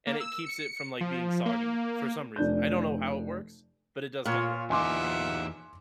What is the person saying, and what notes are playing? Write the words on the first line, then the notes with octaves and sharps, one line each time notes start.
and it keeps it from, like, being soggy for some reason. I don't know how it works, but it does kinda work.
A#3
E6
C#7
F3
A#3
F1 D4 G6
A#2 F4 C#5
E2 D#4 F4 E5 F#5 G#5 C6 D6